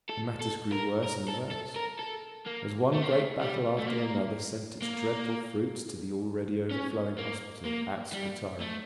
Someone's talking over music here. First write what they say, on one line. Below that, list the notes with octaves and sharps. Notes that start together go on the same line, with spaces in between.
And matters grew worse and worse, as one great battle after another sent its dreadful fruits to the already overflowing hospital at Scutari.
A4
A4
A#4
A#4
A4
A4
A#4
A4
A#3
A3
A#3
A3
G3
A3
A#3
A#3
C#4
A#3
A#3
G3
A3